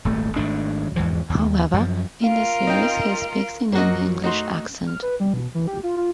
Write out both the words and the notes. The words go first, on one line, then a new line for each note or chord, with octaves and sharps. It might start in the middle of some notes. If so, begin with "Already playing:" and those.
However, in the series he speaks in an English accent.
D#1 G#1 A3
G#1 G#2 A3 D4
E2 G#2 E3 F3
D#2
F#2 F3
F4 A#4 F5
C4 D#4
F#2 F#3 A#3 F#4 D#5
A3 D#4 F#4 C6
F6
B4
G3
B2
E3
G4
F4
F4